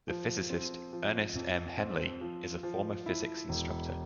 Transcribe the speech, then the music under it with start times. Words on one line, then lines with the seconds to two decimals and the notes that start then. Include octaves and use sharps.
The physicist Ernest M. Henley is a former physics instructor.
0.08 F3
0.50 C4
0.93 F3
1.35 F2
1.78 C4
2.21 F3
2.63 F3
3.06 E4
3.49 E1